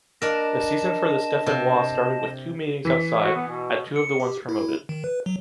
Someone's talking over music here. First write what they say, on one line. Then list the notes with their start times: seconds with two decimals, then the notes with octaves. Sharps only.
The season for the Stéphanois started with two meetings outside, at two of the ones promoted.
0.22 D4 A#4 D#5 A5
1.46 C3
2.85 E3 B6
3.23 F#4
3.36 B3
3.48 B2
3.96 C#7
4.20 G4
4.49 E4
4.89 D#3
5.04 B4
5.26 F#3